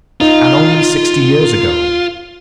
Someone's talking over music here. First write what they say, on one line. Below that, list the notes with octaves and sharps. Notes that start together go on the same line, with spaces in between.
And only sixty years ago!
D#4 F4